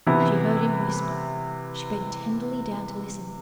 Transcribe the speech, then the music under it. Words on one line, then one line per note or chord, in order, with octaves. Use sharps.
She heard him whisper; she bent tenderly down to listen.
C3 E3 B3 E4